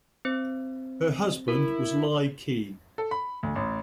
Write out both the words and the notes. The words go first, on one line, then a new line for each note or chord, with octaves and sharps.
Her husband was Li Qi.
C4 C5
E4 A#4
A4
B5
D2
A1